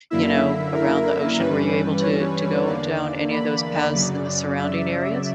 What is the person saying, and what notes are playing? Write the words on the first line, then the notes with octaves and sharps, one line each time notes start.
you know, around the ocean, were you able to to go down any of those paths in the surrounding areas?
F#2 D3 A#3 E4 E5
A#4
G2 E3 G3 C#4 B4
C#5
E2 D3 A#3 D5
B5
F#2 C#3 F#3 D5
E5